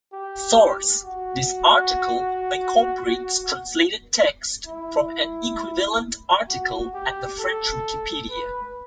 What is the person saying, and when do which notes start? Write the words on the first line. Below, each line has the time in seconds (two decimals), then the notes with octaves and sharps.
Source: "This article incorporates translated text from an equivalent article at the French Wikipedia".
0.13 G4
1.03 F#4
4.67 E4
6.48 F#4
6.94 G4
7.39 A4
8.30 B4